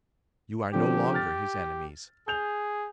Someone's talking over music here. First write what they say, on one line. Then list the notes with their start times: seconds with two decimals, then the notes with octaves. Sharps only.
You are no longer his enemies.
0.74 D3 F3 C4 G4
1.14 F6 A6
2.28 G#4 G6 F7